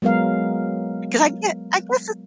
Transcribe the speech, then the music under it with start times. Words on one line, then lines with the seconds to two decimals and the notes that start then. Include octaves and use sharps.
'Cause I get I guess it's
0.02 F#3 G#3 B3 A#4 F5